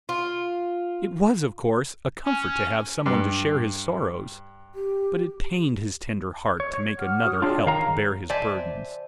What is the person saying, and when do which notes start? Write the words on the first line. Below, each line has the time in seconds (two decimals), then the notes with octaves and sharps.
It was, of course, a comfort to have some one to share his sorrows; but it pained his tender heart to make another help bear his burdens.
0.09 F4
2.24 C#4
3.06 G2
4.75 G4
6.60 C#5
6.73 C#5
6.98 F#5 D6 F6
7.24 F#4 D#6 F6
7.42 D4 F4 G#4 C#5 G5
7.66 D#3 F5 A#5
8.29 C5 D5 E5 G#5 A5